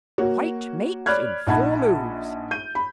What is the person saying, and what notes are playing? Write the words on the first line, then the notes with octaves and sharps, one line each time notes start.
"White mates in four moves."
A#3 F#4 C#5
C#5 D5 B5 F6 F#6 G#6
A#1 D#4 F#5 A5 B5 G#6
G6 D#7
B5